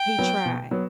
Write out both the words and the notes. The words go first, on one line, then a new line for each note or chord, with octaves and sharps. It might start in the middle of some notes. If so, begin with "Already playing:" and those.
He tried,
Already playing: G5
F#3 B3
B2
F#3 B3